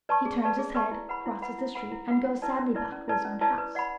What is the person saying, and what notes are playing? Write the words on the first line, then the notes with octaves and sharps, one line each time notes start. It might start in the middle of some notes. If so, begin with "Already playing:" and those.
He turns his head, crosses the street, and goes sadly back to his own house.
B4 D5 A5 C#6
G#4
B4 D5 A5 C#6
G#4
B4 D5 A5 C#6
E4
B4 F#5 B5
E4
B4 F#5 B5
E4
B4 F#5 B5
E4
B4 F#5 B5
C#4
E4 B4 D5 A5
C#4
E4 B4 D5 A5
C#4
E4 B4 D5 A5
C#4
E4 B4 D5 A5
B4
D5 F#5 B5